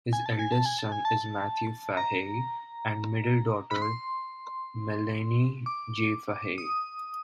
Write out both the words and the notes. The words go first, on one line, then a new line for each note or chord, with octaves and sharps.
His eldest son is Matthew Fahey and middle daughter Melanie J Fahey.
G#5
A5
G#5
A5
G#5
A5
G#5
A5
A#5
B5
C6
D6
D#6